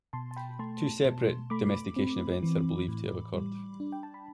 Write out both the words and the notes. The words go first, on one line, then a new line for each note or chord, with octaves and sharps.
Two separate domestication events are believed to have occurred.
B2 A5 C6
A5
G5 B5
A3 A5 C6
B2
A3 B5 D6
C4
E3
A2
G3
D4
G5
A5
B5